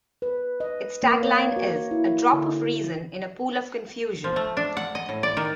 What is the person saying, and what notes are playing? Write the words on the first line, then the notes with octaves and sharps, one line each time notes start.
Its tagline is "a drop of reason in a pool of confusion".
B4
D#5
A#3
C#5
F#4
E4
D3
F3
A3
D4
F#5
D#5
A2
D5
D#3